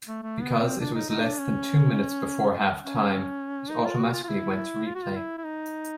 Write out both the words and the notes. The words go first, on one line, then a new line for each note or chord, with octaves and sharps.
Because it was less than two minutes before halftime, it automatically went to replay.
A3
A3
B3
C4
D4
D#4
D#4
D4
C#4
C#4
D#4
F4
F#4
F4
F4
E4
F4
F#4
F4
E4
E4
D#4